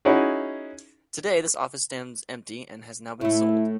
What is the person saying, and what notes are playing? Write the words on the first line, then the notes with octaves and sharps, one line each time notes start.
Today, this office stands empty and has now been sold.
C#4 D#4 E4 F#4 G#4
A2 A3 E4